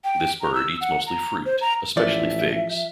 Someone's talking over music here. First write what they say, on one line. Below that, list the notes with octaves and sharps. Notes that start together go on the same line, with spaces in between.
This bird eats mostly fruit, especially figs.
G5
A#5
E6
F#5
A#5
C5
A#5
A1 F3 D5 E5